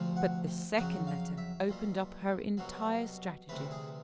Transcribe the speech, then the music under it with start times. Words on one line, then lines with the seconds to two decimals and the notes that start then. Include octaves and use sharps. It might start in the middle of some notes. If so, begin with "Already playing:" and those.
But the second letter opened up her entire strategy.
Already playing: D2 C3 F3
0.16 F#5
0.47 G5
0.77 F2 C#3 F#3 F#5
1.07 F5
1.38 E5
1.68 B1 A#2 G3
2.57 C2 B2 F#3
3.49 D2 C3 E3 B4
3.71 G#4